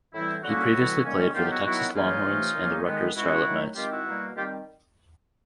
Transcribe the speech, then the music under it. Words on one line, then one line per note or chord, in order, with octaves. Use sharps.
He previously played for the Texas Longhorns and the Rutgers Scarlet Knights.
A2 E3 G3 C4 E4
D3 G3 A#3 C#4 E4 F#4
A2 E3 G3 B3
D#3 G3 A#3 C#4
D#3 F#3 B3 F4 G4
E4 F#4
D#3 F#3 B3 E4 F#4
C#3 E3 G3 A#3 C#4 D#4 F4
C3 E3 A3 C#4
A#2 F#3 A#3 C#4
D#3 G#3 B3
B2 G#3 C#4 E4 F#4
D#3 F#3 A3
D#3 G#3 C4 F4 G4
E4 F#4
B2 G3 A#3
D#3 G3 C4 F4 G4